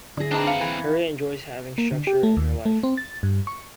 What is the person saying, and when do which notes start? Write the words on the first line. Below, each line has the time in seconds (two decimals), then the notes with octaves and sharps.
Harriet enjoys having structure in her life.
0.17 D3 E4 G#4 A#6
0.31 C4 D4 D#4 B4 A5
0.47 F5 A#5 C#7
0.61 E3 G#5
1.78 A#3
1.92 D3
2.07 G4
2.23 A3
2.37 D#2
2.65 A3
2.83 C4
2.97 A6
3.23 G2
3.47 C#6